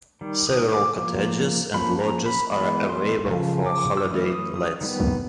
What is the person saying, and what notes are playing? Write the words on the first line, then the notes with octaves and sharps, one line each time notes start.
Several cottages and lodges are available for holiday lets.
D#3 G3
D#6
D6
F3 A#3
F3 A#3 C#4 B5
A#5
B5
E3 G#3 B3 B5
C6
C#3 F3
D6
E6
E3 A3 C#4 D#6
D#6
D#6
D#3 G3 B3